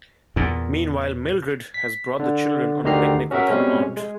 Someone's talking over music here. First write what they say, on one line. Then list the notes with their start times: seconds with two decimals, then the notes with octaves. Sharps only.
Meanwhile, Mildred has brought the children on a picnic with her aunt.
0.36 E2 A#2
1.74 B6
2.19 D3
2.84 D2 D3 D#3 G4 A#5 C7
3.31 C#4 F#4 G#4 A#4 E5
3.48 B2 G3 G#3 C4 C#4
3.97 G#3